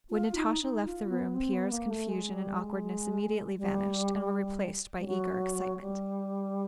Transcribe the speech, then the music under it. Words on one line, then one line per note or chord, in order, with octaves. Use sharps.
When Natasha left the room Pierre's confusion and awkwardness immediately vanished and were replaced by eager excitement.
F4
D#4
D#4
F4
B3
C4
B3
A#3
A3
G#3
G3
G#3
G3
G3
F#3
G3